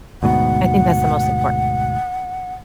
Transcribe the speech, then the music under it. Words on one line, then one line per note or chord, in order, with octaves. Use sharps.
I think that's the most important.
D2 G#2 B2 F#5